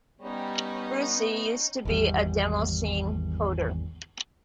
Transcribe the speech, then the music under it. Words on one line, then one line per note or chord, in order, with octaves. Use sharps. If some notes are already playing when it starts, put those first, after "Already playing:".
Brussee used to be a demoscene coder.
G3 B3 C#4 D#4
G#1 E2 G3